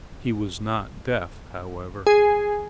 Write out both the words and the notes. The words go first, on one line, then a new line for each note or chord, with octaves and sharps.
He was not deaf however.
G#4